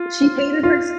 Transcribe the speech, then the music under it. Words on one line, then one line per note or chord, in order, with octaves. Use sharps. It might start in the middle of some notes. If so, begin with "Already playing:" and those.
She hated her s
Already playing: F4
F4